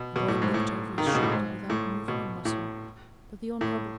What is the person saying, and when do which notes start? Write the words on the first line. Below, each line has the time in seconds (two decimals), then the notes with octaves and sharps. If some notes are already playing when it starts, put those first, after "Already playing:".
The boy looked over his shoulder without moving a muscle, but the Hon.
Already playing: B2
0.16 B2
0.28 A2
0.42 G#2
0.54 A2
0.98 D#3
1.06 C#3
1.15 B2
1.23 A2
1.31 G#2
1.70 A2
2.08 B2
2.45 A2
3.61 A2